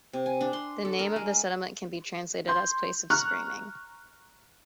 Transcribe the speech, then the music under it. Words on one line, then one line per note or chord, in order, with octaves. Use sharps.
The name of the settlement can be translated as "place of screaming".
C3
G#5
D4
C6
A4
A#4
G#3
C6 G6
A#5 C#6 F6 F#6